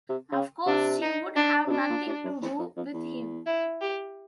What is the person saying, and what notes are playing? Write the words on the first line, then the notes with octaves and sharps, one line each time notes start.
Of course, she would have nothing to do with him.
C3
C#3
C3 D4
D#4
D4
C3
B2 D4
A#2
A2
F#2
E2
F2
F2
E2
E4
G4